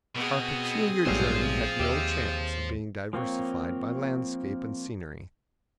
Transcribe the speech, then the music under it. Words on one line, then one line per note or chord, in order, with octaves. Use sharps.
Our peculiar journey had no chance of being diversified by landscape and scenery.
B2 C4 G#4
A#1 G#2 F#3 G3 A3 B3 C5 F5
D#2 G4 D#5 E5
F3 A#3 C4 C#5